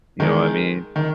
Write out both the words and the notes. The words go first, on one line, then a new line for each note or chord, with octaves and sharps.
you know what I mean?
D#3 G#3
D#3